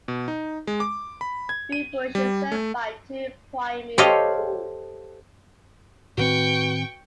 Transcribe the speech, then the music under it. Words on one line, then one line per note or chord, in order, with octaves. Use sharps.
Bewbush is served by two Primary schools.
B2
D#4
G#3
D6
B5
G#6
D#7
G3
A3
G4 A4 C5 C#5 D#5 F5
A2 D#3 C4 F#4 B4 G5 C#6